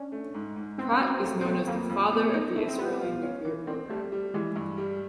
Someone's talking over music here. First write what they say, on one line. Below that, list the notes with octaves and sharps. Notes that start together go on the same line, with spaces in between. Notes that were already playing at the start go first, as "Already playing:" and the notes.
Pratt is known as the "father" of the Israeli nuclear programme.
Already playing: C#4 D4
A3
G#2
G#2
B3 C4
C#4
F#3 C4
A3 C4
C4
A3 B3
F2 A#3
F2
B3
D#4
A3 E4
C4
G3 B3
F4
C#4
E3
C4
G3 A3
G3
E3 G#3
G2
G3